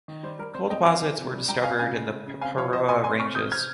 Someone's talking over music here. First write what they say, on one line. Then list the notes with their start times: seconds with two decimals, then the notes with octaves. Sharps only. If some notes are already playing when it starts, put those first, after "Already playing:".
Coal deposits were discovered in the Paparoa Ranges.
0.08 D#3
0.23 G3 C5
0.39 G3 A#4
0.54 C4 C5
0.70 C4 D#5 G5
0.86 F3 F5 G#5
1.01 F3
1.17 C3
1.32 G3
1.48 G3 G5 A#5
1.63 C3 F5 G#5
1.79 C#3 F5 G#5
1.95 G#3
2.11 G#3
2.26 C#3
2.41 C4 F5 G#5
2.57 F3 C#5 F5
2.73 F3 C5 D#5
2.88 C4 G#5 C6
3.04 C3 G#5 C6
3.20 C4 C#6 F6
3.35 C4 D#6 G6
3.51 C3 F6 G#6